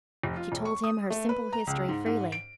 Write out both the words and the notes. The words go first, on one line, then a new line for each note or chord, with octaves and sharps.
She told him her simple history freely.
F1
F4
E1
C#6
D#6
A3
B4
A#5
C#2
G#2
G#2
D7